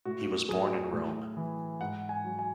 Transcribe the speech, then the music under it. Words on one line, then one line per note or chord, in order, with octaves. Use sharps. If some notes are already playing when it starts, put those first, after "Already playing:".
He was born in Rome.
A2 F#4
F#3 G#4
A2
E3
G#2 F#5
G#5
F#3
G#5